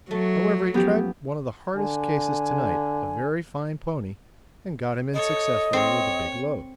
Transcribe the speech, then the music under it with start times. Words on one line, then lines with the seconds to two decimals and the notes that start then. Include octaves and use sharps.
However, he tried one of the hardest cases to-night, a very fine pony, and got him in successfully with a big load.
0.11 F#3 A3
0.74 F#2 F3 B3 G4
1.76 D3 G#5
5.14 A4 C#5 D#5
5.73 C4 C#5